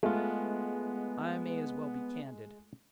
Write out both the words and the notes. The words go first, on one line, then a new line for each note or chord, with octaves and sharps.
I may as well be candid.
G#3 A3 B3 F4